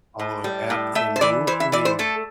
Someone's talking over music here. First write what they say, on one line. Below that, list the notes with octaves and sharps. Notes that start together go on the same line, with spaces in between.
Oh, absolutely.
A2
G3
A2
A3 E5
C5
E3 D5
E3 C5
E5
E3 D5
C5
A3 A4